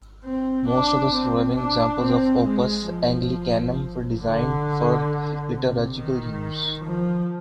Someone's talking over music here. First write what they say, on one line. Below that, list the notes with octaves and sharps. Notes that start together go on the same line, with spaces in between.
Most of the surviving examples of Opus Anglicanum were designed for liturgical use.
C4
D4
C4
D4
C4
G#3
F3
D3
C3
D#3
F3